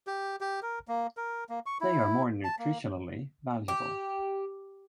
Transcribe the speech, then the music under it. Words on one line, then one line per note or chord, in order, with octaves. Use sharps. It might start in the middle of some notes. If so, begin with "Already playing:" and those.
They are more nutritionally valuable.
G4
G4
A#4
A#3
A#4
A#3
C#6
E4
A5
A#3
G4